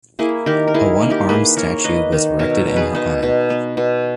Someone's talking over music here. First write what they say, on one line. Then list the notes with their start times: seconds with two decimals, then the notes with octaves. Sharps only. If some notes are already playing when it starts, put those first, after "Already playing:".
A one-armed statue was erected in her honor.
0.19 A#3 E4 G#4
0.46 D#3 G4 A#4
0.68 A#4
0.74 D#3 E4 G#4
1.02 A#3
1.11 G4 A#4
1.29 A#3 G#4 B4
1.57 A#3 A#4 C#5
1.84 A#3 B4 D#5
2.12 D#3
2.39 B2 A#4 C#5
2.67 B2
2.76 G#4 B4
2.95 B2 D#4
3.23 B2
3.50 B3
3.77 B2